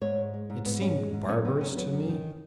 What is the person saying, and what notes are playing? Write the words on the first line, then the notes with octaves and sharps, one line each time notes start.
It seemed barbarous to me.
G#2 C#5
G#3
G#3
G#2
G#2 B3
G#3 C#4
G#3
G#2
F#2 C#4
D#3 B3
F#2 C#4
F#3 B3
F#2
D#3